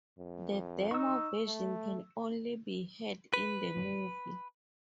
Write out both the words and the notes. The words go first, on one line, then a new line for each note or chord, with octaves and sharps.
The demo version can only be heard in the movie.
F2
D#4 C#6 E6
A3
B4